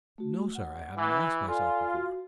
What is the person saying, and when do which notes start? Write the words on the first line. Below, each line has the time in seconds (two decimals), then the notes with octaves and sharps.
"No, sir, I haven't asked myself before."
0.18 A3 F#4
0.55 F#5
0.97 E3
1.48 F4 A4 D5 G#5
1.94 F#4